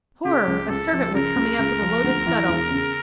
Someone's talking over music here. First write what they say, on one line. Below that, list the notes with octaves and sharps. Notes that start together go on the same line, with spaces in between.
Horror! a servant was coming up with a loaded scuttle.
C#3 G4
C#2
C#2 A4
F3
C#3 A#4
C#2
C#2
F3
D2
E3
E1
C#3